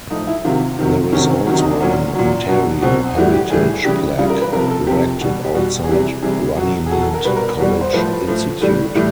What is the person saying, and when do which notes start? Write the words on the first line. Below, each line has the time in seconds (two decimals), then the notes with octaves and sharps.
There is also an Ontario Heritage Plaque erected outside Runnymede College Institute.
0.10 A2 F3 D#4
0.27 E4
0.44 C3 D#3 F#3 F4
0.79 C3 D#3 F#3
1.12 C3 D#3 F#3 C#4
1.29 C4
1.47 C3 D#3 F#3 C#4
1.58 D#4
1.69 D4
1.80 A#2 F#3 C#4
2.15 A#2 F#3
2.49 B2 F#3
2.82 B2 F#3 C4
3.16 A2 E3 G3 F#4
3.34 G4
3.50 A2 E3 G3 G#4
3.84 C#3 E3 G3 G4
4.18 C#3 E3 G3 F4
4.29 A#4
4.41 B4
4.52 C3 F3 A#4
4.70 A4
4.87 C3 F3 G4
5.21 B2 G3
5.44 G4
5.54 B2 G3 F#4
5.84 G#4
5.89 C3 E3 G3 G4
6.23 C3 E3 G3 G#4
6.57 B2 F#3
6.86 G#4
6.91 B2 F#3 A4
7.02 A4
7.14 A#4
7.25 B2 G3 B4
7.36 A#4
7.59 B2 G3
7.81 C5
7.93 A2 F3 B4
8.27 A2 F3
8.61 A2 E3 G3
8.95 A2 E3 G3